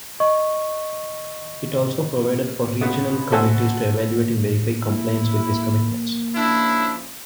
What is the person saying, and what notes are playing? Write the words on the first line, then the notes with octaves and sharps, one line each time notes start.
It also provided for regional committees to evaluate and verify compliance with these commitments.
D#5 C#6
C#2 B3 B4
E4 F#4 A4 C5 E5 G#5
A#3 E4
E2 C#3 F3 D4 E4